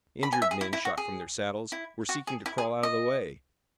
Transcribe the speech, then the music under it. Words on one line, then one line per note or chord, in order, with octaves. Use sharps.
Injured men, shot from their saddles, were seeking to crawl out of the way.
B5
G#5
E5
G#4
E4
E4
F#4
G#4
E4
F#4
G#4
E4
G#4
D#5